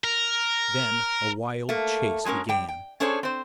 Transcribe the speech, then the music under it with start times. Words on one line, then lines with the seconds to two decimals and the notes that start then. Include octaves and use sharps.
Then a wild chase began.
0.04 A#4
1.69 A3 A#3
2.25 F#3 G#3 C#4 A#4
2.49 G3 G5
2.68 G5
3.00 C#4 D4 G#4 A4 C5 C#5
3.23 C4 C5